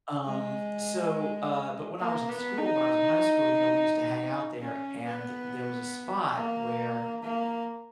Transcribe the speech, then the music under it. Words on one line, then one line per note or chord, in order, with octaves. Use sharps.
um, so, uh, but when I was in school- when I was in high school- you know, we used to hang out there, and there was a spot where
G#3
A#3
B3
D#4
C#4
B3
A#3
A#3